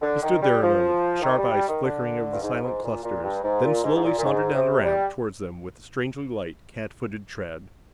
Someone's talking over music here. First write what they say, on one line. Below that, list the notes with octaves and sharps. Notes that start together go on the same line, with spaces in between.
He stood there a moment, his sharp eyes flicking over the silent clusters, then slowly sauntered down the ramp toward them with a strangely light, catfooted tread.
D3
D#3
G3
F3
D#3
G3
G3
D#3
D3
G2
G#2
G#2
A#2
A#2
G2
G#2
A#2
G#2
G#2
A#2
A#2
G#2
C3
G3